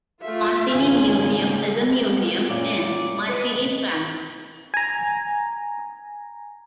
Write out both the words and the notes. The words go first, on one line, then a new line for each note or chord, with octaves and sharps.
Contini Museum is a museum in Marseille, France.
A3 F4 E5
G#1 C#3 G#5
F#2 A#2 D5
B4 D#5
G#5 A#5